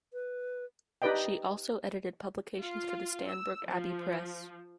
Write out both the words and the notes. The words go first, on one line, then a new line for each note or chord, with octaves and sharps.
She also edited publications for the Stanbrook Abbey Press.
B4
D#4 G4 B4 D5 D#5 G5
F4
E6
F3